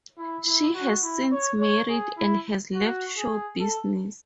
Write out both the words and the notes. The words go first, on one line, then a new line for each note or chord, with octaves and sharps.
She has since married and has left show business.
E4
E4
F#4
E4
C#5
C#5
G#4
E4
F#4
G#4
A4